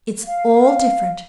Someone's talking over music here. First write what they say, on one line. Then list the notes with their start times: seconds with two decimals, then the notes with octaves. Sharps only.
It's all different.
0.24 F5